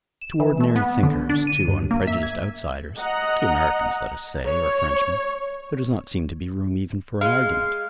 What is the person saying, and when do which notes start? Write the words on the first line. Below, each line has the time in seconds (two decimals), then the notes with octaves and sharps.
To ordinary thinkers, to unprejudiced outsiders,--to Americans, let us say, or Frenchmen,--there does not seem to be room even for an argument.
0.22 E7
0.40 E3
0.60 A3
0.76 B3
1.03 D3
1.29 D4
1.47 D#7
1.68 G2
1.91 A#3
2.07 E5
2.23 G#6
2.99 D#5 F#5 A#5
4.46 C#5
7.21 G#3 F5